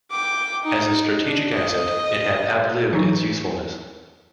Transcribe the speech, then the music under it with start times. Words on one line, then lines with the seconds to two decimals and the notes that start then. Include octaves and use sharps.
As a strategic asset it had outlived its usefulness.
0.11 G5 D6
0.63 D#4
1.25 D4
1.54 D#5
2.93 E3 F#3 D#4